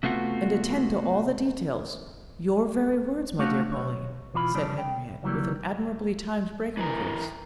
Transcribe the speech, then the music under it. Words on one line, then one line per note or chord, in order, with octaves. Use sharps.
"And attend to all the details--your very words, my dear Pauline," said Henriette, with an admirably timed break in her voice.
C3 A3 B3 F4 F#4
A3 D4 F#4 F5
B1 C#5
B2 E3 F4 C5 B5
F2 C#3 G3 C#4 D4
G5
C#3 E3 F#3 G3 A#3
E3 A#4